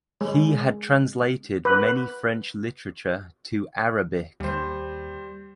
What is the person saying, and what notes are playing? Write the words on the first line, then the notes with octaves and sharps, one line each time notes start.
He had translated many French literature to Arabic.
G#3
B4
D#2 G3 C5